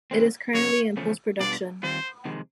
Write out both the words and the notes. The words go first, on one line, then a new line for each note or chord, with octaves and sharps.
It is currently in post-production.
C#3 E3 G#3 C4
F#2 C#3 F#3 A#3 C#5
E2 C#3 F3 A3 C#4
B2 G3 B3 D4 F4 D5
D#3 G3 C4 F4 C5
F2 C3 D#3 G#3